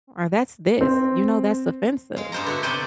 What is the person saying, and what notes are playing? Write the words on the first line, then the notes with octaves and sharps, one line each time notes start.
or "That's this," you know, "That's offensive,"
C4
G#3 F5
G2 B3 C5 F5 A#5
D3 F#4 E5
C3 F#3 C5 D5 G5 G#5